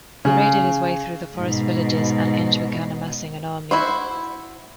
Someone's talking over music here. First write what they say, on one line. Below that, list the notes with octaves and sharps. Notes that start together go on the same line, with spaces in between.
He raided his way through the forest villages, and Inge began amassing an army.
C#3
G#2 B2
E4 F#4 C5